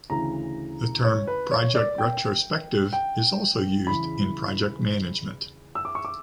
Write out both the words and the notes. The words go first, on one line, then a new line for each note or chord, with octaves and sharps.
The term project retrospective is also used in project management.
D2 C#3 E3 A#5
C#5
B4
C#5
D5
G5
G5
E2 C#3 E3 B5
E6
D6
C#6
D6